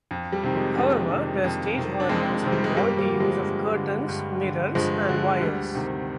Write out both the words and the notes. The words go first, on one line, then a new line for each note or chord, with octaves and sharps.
However, their stage versions involved the use of curtains, mirrors and wires.
F2
G3
C3 D#3
F3 G#3
F2 A#3 D4
C3 D#3
F2
C3 D#3
D4
F2 G#3 C4
C3 D#3
G3
G#3
G2 G3 A#3
G3 A#3
D3
F3 G#3
G2
D3
G2
D3
G2 F3 G#3
D3
D2 G3
C3 D#3